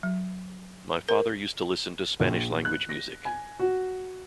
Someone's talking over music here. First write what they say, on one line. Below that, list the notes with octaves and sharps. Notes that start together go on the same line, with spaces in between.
My father used to listen to Spanish-language music.
F#3
A#4
A#1
F#6
A#6
G#5
F#4